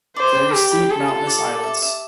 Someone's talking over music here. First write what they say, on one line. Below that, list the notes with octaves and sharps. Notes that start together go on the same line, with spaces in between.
Very steep mountainous islets.
C5 D5
G5
G4 D5
B5
F4 A4
F4
D5
D5
E5
E5